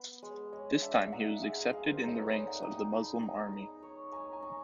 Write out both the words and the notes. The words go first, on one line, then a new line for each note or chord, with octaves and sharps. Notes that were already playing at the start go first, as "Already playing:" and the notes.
This time he was accepted in the ranks of the Muslim army.
Already playing: B3
G#3
G#3 C#5 D#5
D4 E5
D#5
D5 E5
D#4 E5 F#5
G#4 E5 F#5
G#4 D#5 F5
A#4 C5
D#4 A4 B4
B4 C#5
D#4 C5 D5
E5 F#5
D#4 F5 G5
G#5 A#5
D#4 A5 B5
D#4
D#4
C#5
C#5 G#5 A#5
G#5 A#5
D#4